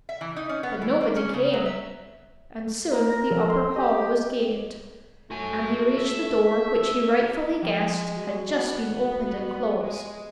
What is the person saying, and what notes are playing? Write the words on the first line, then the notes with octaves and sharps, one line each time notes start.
But nobody came, and soon the upper hall was gained, and he reached the door which he rightfully guessed had just been opened and closed.
E5
E3
D#4
C#4
B3
E3
A#3
C#4
C#3
F#3
E5
A#4
A#6
F3 A4
C6
G4 D#5
A3 F#4 G#5
E5
F3 G#3
F#4
B3
G#3